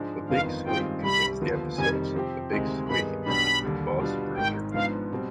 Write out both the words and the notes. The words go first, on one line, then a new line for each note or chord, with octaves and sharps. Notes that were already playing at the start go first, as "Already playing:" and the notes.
"The Big Squeak" contains the episodes "The Big Squeak" and "Boss Bruiser".
Already playing: G#2 F3 G#3 D4
G1 F2 D#3 B3 F4 F5
G2 D#3 G#3 C4 F4 G5
C2 C3 G3 B5
D#2 D3 F3 B3 F4
F2 C3 D#3 G3 G#5
C3 F3 C4 G4
D2 C3 D#3 G#3 C4
G2 D#3 B3 D#4 G#4 B5
B1 B2 G3 D4 B5
D#2 D3 G3
B2 G3 B3 D4 F4
G#1 G#2 D#3 G5
G#2 F3 B3 D4 F5
B2 G3 C4